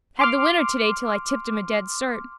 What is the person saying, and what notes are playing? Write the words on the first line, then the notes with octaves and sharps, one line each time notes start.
Had the winner today till I tipped him a dead cert.
C6 D6 F6